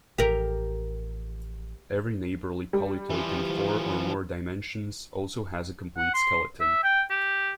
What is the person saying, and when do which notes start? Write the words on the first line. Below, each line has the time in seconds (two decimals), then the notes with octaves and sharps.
Every neighborly polytope in four or more dimensions also has a complete skeleton.
0.18 A1 F3 G4 A#4
2.73 G3
3.10 E3 F3
5.97 F#5
6.14 C6
6.60 E5
6.84 G5
7.10 G4